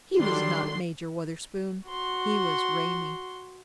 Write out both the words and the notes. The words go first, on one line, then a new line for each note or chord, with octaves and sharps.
He was not Major Wutherspoon; he was Raymie.
D3 D#3 F#3 G3 D4 C6
F#4 C6